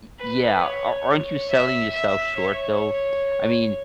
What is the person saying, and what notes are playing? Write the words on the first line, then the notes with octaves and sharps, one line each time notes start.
Ye yeah. Ar aren't you selling yourself short, though? I mean,
B4
C#5
E5
E5
C#5